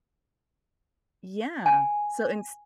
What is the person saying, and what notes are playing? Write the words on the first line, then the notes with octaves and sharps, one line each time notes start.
yeah, so ins
G#5